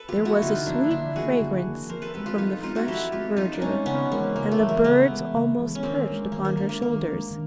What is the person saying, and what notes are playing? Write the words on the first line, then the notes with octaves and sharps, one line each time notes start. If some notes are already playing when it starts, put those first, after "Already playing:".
There was a sweet fragrance from the fresh verdure, and the birds almost perched upon her shoulders.
Already playing: A4 B4
F4 G4
F3 A#3
E4 F#4
D3 D#4 F4
F3 A#3 D4 E4
D3 D4 E4
F3 A#3 F#4 G#4
D3
F3 A#3
F3 A#4 C5
A4 B4
G#3 C4 G4 A4
F4 G4
F3 D#4 F4
G#3 C4 D#4 F4
E4 F#4
F3 G4 A4
G#3 C4 F4 G4
F3 D#4 F4
D4
G#3 C4 C#4 D#4
C#3 B3 C#4
E3 G#3 A#3 C4
C#3 A#3
A3
E3 G#3
A#3
C#3 A3 B3
E3 G#3
C#3
E3 G#3
C#4
D#3 A#3 C4
G#3 B3 D4
D#3 A#3
A#3
G#3 A#3 B3 D4
A#3
D#3 A#3
G#3 B3 D4
D#3